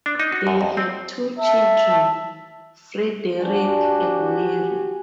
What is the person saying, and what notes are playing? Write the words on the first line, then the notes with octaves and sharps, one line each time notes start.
They had two children, Frederick and Mary.
D4
D#4
F#4
F#2
F2
C4
E5 A5
D4 F#4 G4 G#5